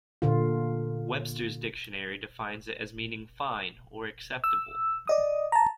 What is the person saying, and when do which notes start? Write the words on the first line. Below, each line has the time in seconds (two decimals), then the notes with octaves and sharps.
Webster's Dictionary defines it as meaning "fine" or "acceptable".
0.22 A#2 D3 F4
4.44 E6
5.07 D5 D#5 D#6
5.52 A5 A#5